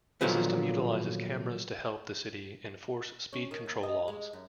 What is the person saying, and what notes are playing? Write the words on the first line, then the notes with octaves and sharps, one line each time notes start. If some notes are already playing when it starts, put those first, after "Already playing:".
The system utilizes cameras to help the city enforce speed control laws.
A#2 D3 D#3 F3 F#3 B3
C#4
D#3
D#2
D#5
G#3
F#2